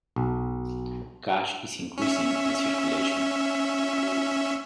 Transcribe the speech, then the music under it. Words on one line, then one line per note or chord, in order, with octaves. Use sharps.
Cash is increasing in circulation.
B1
C#4 E5